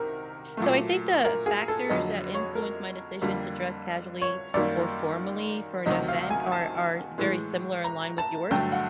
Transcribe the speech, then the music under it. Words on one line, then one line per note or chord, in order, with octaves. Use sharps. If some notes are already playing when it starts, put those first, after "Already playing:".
So I think the factors that influence my decision to dress casually or formally for an event are are very similar in line with yours.
Already playing: C2 C3 D#3 A#4
A#2 F#3 A3
A#4
G#4
A4
F2 D3 F#3 D#5
C#5
A#4
F2 D3 G3 A#3
C#5
F#2 D#3 G3 A#3 D5
D2 C3 D#3 F#3 D#5
F5
G#5
A5
A2 E3 G#3
A#5
A5
G2 D3 F#3 A3 G5
F#5